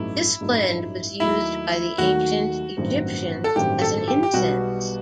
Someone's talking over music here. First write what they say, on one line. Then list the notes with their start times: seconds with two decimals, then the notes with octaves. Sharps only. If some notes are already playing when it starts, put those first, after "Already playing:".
This blend was used by the ancient Egyptians as an incense.
Already playing: A1 G2 F#3 A3 D#4 E4
0.41 A1 G2 F#3 A3 D#4
1.20 D#2 D#3 F#3 A3 D#4 E4
1.98 D#2 D#3 F#3 A3 D#4 F#4
2.77 A1 G2 D#3 F#3 C4
3.44 A4
3.56 A1 G2 D#3 F#3 C4 G4
3.82 A4
4.08 G4
4.23 G4
4.33 B1 B2 G3 B3 F#4